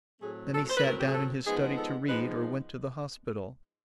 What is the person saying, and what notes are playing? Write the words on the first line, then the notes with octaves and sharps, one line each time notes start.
Then he sat down in his study to read, or went to the hospital.
A2 F#3 A3 C4 G#4
A4
C5
B4
A2 F#3 A3 C4 A#4
G4
G#4
A4
F3 G#3 B3 D#4 G#4
A4
F3 G#3 B3 D#4 B4